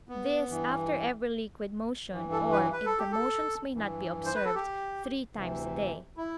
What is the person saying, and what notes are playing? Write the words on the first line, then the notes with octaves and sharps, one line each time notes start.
This after every liquid motion, or, if the motions may not be observed, three times a day.
B3
G2 E3
G2 E3
A4
B4
B4
A4
G4
A4
G2 E3
C5
B4
A4
G4
D2 C3 E3
E4